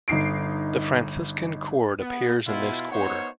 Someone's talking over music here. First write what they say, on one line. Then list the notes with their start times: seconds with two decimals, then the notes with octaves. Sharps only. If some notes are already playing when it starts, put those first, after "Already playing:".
The Franciscan cord appears in this quarter.
0.08 G1 D#4 C7 D7
2.00 B3
2.47 B2 E4 F4
2.91 B3 D#4 C5 C#5